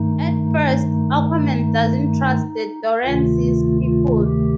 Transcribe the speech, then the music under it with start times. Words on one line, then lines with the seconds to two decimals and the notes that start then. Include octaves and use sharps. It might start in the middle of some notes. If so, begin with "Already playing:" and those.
At first, Aquaman doesn't trust the Dorrance's people.
Already playing: G2 D#3 A3 D#4
0.62 D#4
3.04 D2 C3 D#3 A3 F4
3.85 F4
4.26 G4